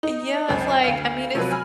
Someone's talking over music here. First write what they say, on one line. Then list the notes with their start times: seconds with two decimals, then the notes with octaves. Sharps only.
Yeah, it's like, I mean, it's
0.03 D#4
0.48 C#2 F#2 C4
0.84 D2 F5
1.35 C3 F3 F#3 B4
1.51 G#5 B5 F6